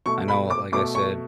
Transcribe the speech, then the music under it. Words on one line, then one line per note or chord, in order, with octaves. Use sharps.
I know like I said,
B2 A3 C#6
B5
D6
B2 A3 D6
C#6